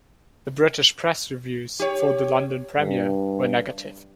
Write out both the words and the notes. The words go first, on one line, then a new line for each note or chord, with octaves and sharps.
The British press reviews for the London premiere were negative.
G4 C#5
G2